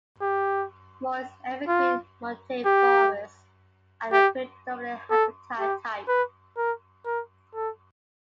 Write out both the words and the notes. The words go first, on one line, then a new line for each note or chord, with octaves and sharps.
Moist evergreen montane forests are the predominant habitat type.
G4
F4
G4
G4
A4
G4
B4
A#4
A#4
A4